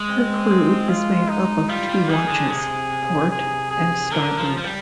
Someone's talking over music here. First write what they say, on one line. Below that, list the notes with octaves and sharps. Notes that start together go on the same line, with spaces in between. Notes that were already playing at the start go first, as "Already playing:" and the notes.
Her crew is made up of two watches, "Port" and "Starboard".
Already playing: G#3
C4
F4
D#4
G3 F4
G3
D#3 G#4
D3
C3 G#4
G#4
G#4
D3 A#4
F3
F3
G3